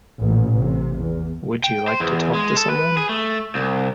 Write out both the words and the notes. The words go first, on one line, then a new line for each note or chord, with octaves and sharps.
Would you like to talk to someone?
A1 A#2
C3
E2
G5
C5
E2
G#3
A4
B4
G#4
A3
C2